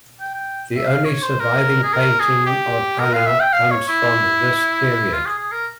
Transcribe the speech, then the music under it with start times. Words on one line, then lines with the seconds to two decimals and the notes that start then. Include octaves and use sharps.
The only surviving painting of Hanger comes from this period.
0.21 G5
0.34 G5
0.78 E5
0.88 F5
1.05 C#5
1.23 C5
1.41 A#4
1.84 G#4
1.93 A#4
2.20 G#4
2.46 G4
2.99 A#4
3.14 F5
3.27 E5
3.40 G5
3.53 F5
3.71 C#5
3.89 E4
5.13 F4
5.26 G#4
5.39 G#4
5.52 A#4